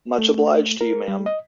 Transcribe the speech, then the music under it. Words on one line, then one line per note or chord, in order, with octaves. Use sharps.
Much obliged to you, ma'am!
A3
A#4
G3
D#5